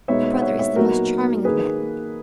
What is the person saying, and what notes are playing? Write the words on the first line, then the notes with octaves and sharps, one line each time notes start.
Your brother is the most charming of men.
B2 G#3 B3 D#4 C#5 E5
F#5
C#5 E5
C#5 E5
A#2 F#3 B3 D#4 F#4 A#4
D#3 A#3 D#4 G#4 B4